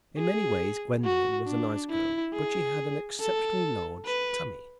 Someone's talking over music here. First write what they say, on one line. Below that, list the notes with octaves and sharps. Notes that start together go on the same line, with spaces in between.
In many ways Gwendolen was a nice girl, but she had an exceptionally large tummy.
G#4
F#4
D4
E4
G#4
A4
B4